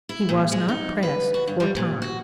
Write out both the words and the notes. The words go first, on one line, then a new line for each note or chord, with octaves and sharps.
He was not pressed for time.
E4
A#2
G#3
D#4
B4
F#4
G2
G3
A#2
F#4